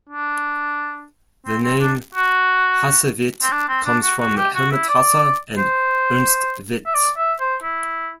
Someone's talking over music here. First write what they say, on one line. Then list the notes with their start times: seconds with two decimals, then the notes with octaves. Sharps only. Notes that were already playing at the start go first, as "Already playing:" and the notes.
The name "Hasse-Witt" comes from Helmut Hasse and Ernst Witt.
0.09 D4
1.46 C4
1.63 C4
1.80 D4
2.14 F#4
3.42 C4
3.52 D4
3.68 C4
3.85 D4
4.03 F#4
4.20 F#4
4.37 G4
4.55 F#4
4.72 E4
4.89 D5
5.58 C5
6.86 E5
6.94 D5
7.17 E5
7.40 C5
7.63 E4